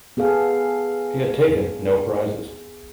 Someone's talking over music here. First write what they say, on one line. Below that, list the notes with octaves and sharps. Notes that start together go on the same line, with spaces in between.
She had taken no prizes.
B3 G#4 A4 F5